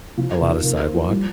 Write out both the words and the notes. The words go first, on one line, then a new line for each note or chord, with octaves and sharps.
a lot of sidewalk.
C3 F3
A#3
C3
D#4
C3 A#3
C5
F3
F3 G3